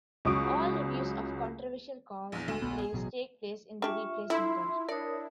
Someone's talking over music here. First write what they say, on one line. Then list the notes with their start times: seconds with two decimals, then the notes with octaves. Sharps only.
All reviews of controversial calls and plays take place in the replay center.
0.25 C#2 F#3 C#6 D#6 D7
2.32 A#1 E2
2.48 D2 A3 E7
2.62 A#1 B3
2.78 G#4
2.93 A1 B2 F#3
3.82 D4 F4 G4 G#4 E5 C#6
4.30 D3 E4 C6
4.89 D4 A#4 C#5 D5 D#6